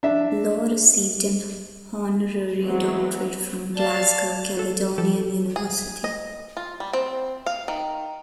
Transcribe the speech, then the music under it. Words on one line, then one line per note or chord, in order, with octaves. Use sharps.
Law received an honorary doctorate from Glasgow Caledonian University.
D4 E5
E3 F#3 G#3 B3 C4
D5 F5 A5
F#4 A4
F3 G4 A4
G#4
D#5
F4
G3
C4
F5
D#3